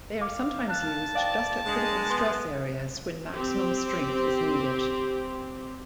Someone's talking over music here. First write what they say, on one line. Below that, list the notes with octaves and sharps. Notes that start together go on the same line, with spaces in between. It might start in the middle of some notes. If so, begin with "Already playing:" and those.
They are sometimes used just at critical stress areas when maximum strength is needed.
F5 D6
A5 F#6
D5 F5 G5
G#3 D4
B3 C6
C4 G4